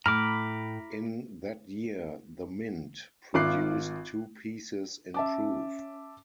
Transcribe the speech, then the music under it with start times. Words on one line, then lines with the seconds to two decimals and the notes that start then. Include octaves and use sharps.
In that year, the mint produced two pieces in proof.
0.06 A2 A#5 B5 D6 F6
3.34 G#1 F4 E5 D6 F#6 C7
5.14 C#4 E5 A5 D6